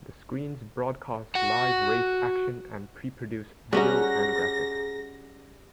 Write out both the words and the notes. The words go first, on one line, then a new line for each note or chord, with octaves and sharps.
The screens broadcast live race action and pre-produced video and graphics.
F#4 F#5
G3 C#4 F#4 G#4 F#5 A#5 A#6